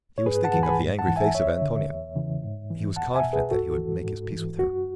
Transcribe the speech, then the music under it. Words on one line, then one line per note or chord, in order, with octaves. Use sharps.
He was thinking of the angry face of Antonia; he was confident that he would make his peace with her.
C#5
G#2 G#4 B4
F#5 A5
E3
G#5 B5
G#2
F#5 A5
E3
E5 G#5
E2 C#5 E5
D3
E2
C#3 E3
G#2
E3
E2 F#5 A5
E5 G#5
B2
G#4 B4
G#2 F#4 A4
E3
G#2
E3
F#2 F#4